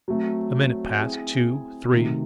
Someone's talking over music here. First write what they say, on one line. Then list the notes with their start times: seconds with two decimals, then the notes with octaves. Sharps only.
A minute passed--two--three.
0.08 F#3 A3 C4
1.00 C4 E4 G#4 C5
1.93 C3 D#3 A3 D#4 F#4